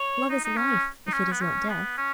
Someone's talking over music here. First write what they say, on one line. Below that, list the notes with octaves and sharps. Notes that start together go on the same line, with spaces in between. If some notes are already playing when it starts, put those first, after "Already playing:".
Love is life, if it is not death.
Already playing: C#5
D#4
D#4
C#4
D#4
C#4
B3
C#4
B3
C#4